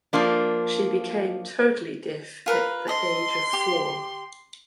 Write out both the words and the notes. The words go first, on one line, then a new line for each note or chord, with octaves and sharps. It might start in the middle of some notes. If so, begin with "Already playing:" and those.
She became totally deaf at the age of four.
F3 A#3 D4
F4 A#4 B4
A4 D#5 C6
G4